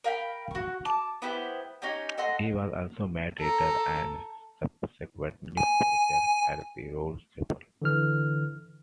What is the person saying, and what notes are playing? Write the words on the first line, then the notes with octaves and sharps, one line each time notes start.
He was also made Reader, and subsequently Preacher, at the Rolls Chapel.
A#4 F5 G5 B5
F#4 C#6
A5 D6
B3 E4 G4 C5
C#4 D#4 G4 G#5
A4 D#5 F#5 C6
A4 A#5
G#5
D3 E3 F6